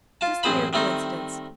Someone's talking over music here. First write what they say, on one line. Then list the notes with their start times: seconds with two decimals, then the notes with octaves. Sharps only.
Just a mere coincidence.
0.21 F4 A5
0.43 A1 F#2 C4 G#4 C5 B5
0.73 D#3 G3 A3 C4 D#4